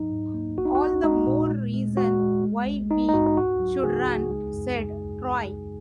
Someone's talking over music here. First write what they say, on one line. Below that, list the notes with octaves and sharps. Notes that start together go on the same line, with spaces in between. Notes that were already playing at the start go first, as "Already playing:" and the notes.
"All the more reason why we should run," said Troy.
Already playing: G#2 F#3 D#4
G#2
A#3
A#1 F#4
D#4
F#4
A#1
G#3 D#4
A#2
G#3
G#3
G#3 F#4
G#3
G#3
A#1
G#3 D#4
D#4
G#2 F#4
D#4
C#2 F#4
F#3
C#3 D#4 G#4
C#2
G#3
F#2